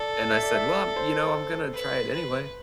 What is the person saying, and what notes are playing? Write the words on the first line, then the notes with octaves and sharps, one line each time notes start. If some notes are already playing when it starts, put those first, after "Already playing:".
and I said, "Well, you know, I'm gonna try it anyway."
Already playing: A4 D5
E5
D5
E5
C5
B4
B4